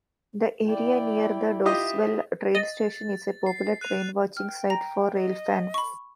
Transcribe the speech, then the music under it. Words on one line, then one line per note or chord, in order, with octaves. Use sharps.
The area near the Doswell train station is a popular train-watching site for railfans.
E4 D5 G5
F4 G4 D#5 E5
D#5 A6
C7
F#6 D#7 F7
G5 F6
A#5 A#6
D#5
B5 C#6